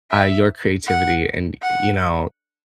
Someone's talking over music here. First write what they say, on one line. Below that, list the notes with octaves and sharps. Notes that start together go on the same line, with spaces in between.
uh, your creativity and, you know,
E5
F#5
F#5